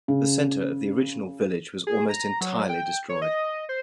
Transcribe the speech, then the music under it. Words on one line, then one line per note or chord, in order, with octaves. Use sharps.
The centre of the original village was almost entirely destroyed.
C#3
G#4
A#5
F#3
G5
C#5
D#5
C5